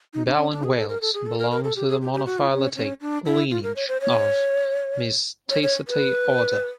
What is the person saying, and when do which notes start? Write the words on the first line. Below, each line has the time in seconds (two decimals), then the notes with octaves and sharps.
Baleen whales belong to the monophyletic lineage of Mysticeti order.
0.14 D#4
0.27 D4
0.39 C#4
0.52 D4
0.64 G#4
0.76 A4
0.89 A#4
1.01 A4
1.14 G#4
1.26 A4
1.39 A#4
1.51 A#4
1.64 A4
1.76 G4
1.89 G#4
2.02 G4
2.13 G4
2.26 F#4
2.38 F4
2.51 C#4
2.76 C#4
3.01 D4
3.26 E4
3.51 F4
3.64 A#4
3.76 C#5
3.88 C5
4.01 C#5
5.50 C#5
5.63 C#5
5.88 B4